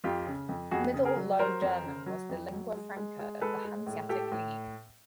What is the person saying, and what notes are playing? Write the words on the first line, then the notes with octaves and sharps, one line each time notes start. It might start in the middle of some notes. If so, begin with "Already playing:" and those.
Middle Low German was the lingua franca of the Hanseatic League.
F2 F4 G4
C#3
F2
F2 F#4 G#4
C#3
G#4 A#4
F#3
F#3 A#4 C5
F2
C#3
F#3
F2
F#3
G#3
G#3
G#3
G#3 A4 B4
G#3
A2
A2 G4 A4
A2